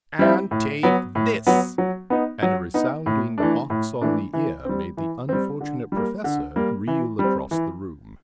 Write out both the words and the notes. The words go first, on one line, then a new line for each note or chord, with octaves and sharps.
"And take this!" and a resounding box on the ear made the unfortunate Professor reel across the room.
G3 C4 E4
A2
F#3 B3
A2
F#3 B3
F#3
B3 D#4
F#3
B3 D#4
A2
E3 A3 D4
A2
E3 A3 D4
E3
G3 C4
E3
G3 C4
D3
G3 A#3
D3
G3 A#3
E3
G3 C4
E3